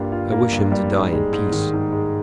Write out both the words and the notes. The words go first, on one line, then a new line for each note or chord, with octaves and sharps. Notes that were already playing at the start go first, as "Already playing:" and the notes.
"I wish him to die in peace."
Already playing: G2 G3 A#3 F4
F4
A#3
G2
G3
G#2
G#3
G#2
D#3
G#2
G#3